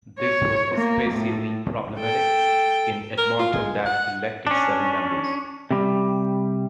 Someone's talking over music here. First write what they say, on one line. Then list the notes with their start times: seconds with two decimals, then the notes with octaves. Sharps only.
This was especially problematic, in Edmonton that elected seven members.
0.20 C#5
0.75 A#3
1.10 A2
1.98 A4 G5
3.18 A#4
3.39 F4
3.53 G#3
3.85 F#5
4.47 C#4 D4
5.71 C3 G3